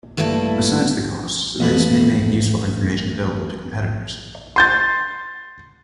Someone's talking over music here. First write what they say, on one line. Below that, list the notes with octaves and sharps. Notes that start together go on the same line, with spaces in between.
Besides the cost, this may make useful information available to competitors.
G2 A3 A#3 E4 A5
A1 F2 B4 A5
C6 G6 A6